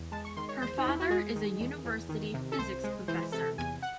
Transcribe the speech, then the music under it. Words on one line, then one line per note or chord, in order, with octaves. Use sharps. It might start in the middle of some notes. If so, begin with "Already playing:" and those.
Her father is a university physics professor.
Already playing: E2
G#3 A5
C#6
D#3 C6
C#5
E2 C5
D#4
E2 E4
F#4
G#3 G#4
D#3
E2
E2
D#3
C3
A4
C2 C5
G#3
E3 C5
C3 A4
E2 G#5
F#5